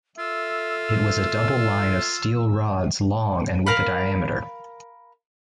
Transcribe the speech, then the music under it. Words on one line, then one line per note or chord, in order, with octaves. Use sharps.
It was a double line of steel rods long and with a diameter.
F4 A4 E5 E6
A#4 F5 B5